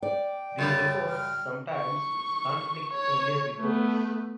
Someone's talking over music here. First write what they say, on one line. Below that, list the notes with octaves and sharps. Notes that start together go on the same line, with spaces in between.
These reports sometimes contradict earlier reports.
D5 G5
F#2 C#3 G3 A6
F6
C#6
C#5
A3 B3